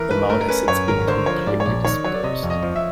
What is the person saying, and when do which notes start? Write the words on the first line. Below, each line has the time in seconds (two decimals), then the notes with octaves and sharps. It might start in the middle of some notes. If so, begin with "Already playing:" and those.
The mound has since been completely dispersed.
Already playing: E3 A#4
0.10 G2 B4
0.30 A3 A#4
0.41 A#4
0.48 C#4 B4
0.68 F#2 C#5
0.88 G#1 A#4
1.07 D3 C5
1.26 F3 C#5
1.46 G#2 D5
1.60 C#5
1.65 A#1 D5
1.85 D#3 C#5
2.04 F#3 C#5
2.14 D5
2.24 C3 D#5
2.43 F2
2.50 D#5
2.63 F3
2.76 E5